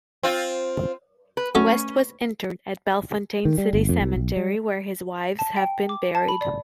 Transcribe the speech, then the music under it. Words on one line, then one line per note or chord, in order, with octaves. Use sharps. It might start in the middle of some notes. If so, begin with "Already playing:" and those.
West was interred at Bellefontaine City Cemetery, where his wives had been buried.
C4 F4
B4
F#3 A3 C#4 A4
D#3
G3
G1
F2
C2
B1
G3
A5
G5
D6
A5
B5
D5